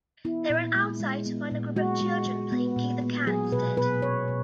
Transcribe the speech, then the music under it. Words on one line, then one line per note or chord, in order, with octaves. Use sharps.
They run outside to find a group of children playing kick the can instead.
B3 E4
A#2
G#3
G#3
B3
A#2
G#3 F#4
G#3
G#3
B3
A#2
B3
F#3 G#4
B2 B4
B2 B4
B2 C#5
B2